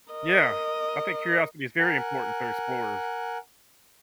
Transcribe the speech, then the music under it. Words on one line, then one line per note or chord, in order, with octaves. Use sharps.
Yeah, I think curiosity is very important for explorers.
A#4 D#5
A#4 F#5 G#5